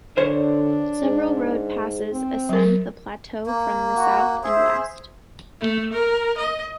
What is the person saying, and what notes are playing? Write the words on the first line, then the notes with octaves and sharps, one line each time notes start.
Several road passes ascend the plateau from the south and west.
D3 D4 A#4 C5 C#5
G#2
C4
F#3 A#4
A#3
F#4
G#4 C5 E5
A3
A#4
D#5